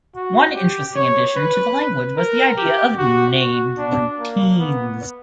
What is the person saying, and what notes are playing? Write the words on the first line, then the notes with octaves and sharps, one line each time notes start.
One interesting addition to the language was the idea of named routines.
F#4
G4
C#5
B4
A#4
G4
F#4
F#4
D4
A#3
B3